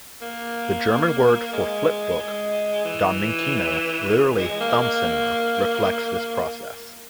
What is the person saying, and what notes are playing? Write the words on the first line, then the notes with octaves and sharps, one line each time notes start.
The German word for flip book-"Daumenkino", literally "thumb cinema"-reflects this process.
A#3
G#3
G#3
E3
G#3
A#3
A#3